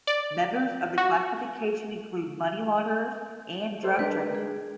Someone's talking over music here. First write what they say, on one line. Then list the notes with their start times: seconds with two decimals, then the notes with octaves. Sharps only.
Members of the classification include money launderers and drug traffickers.
0.07 D5
0.98 F#4
3.83 A4 C5
3.99 G#3 D4 A#4 B4
4.35 G#4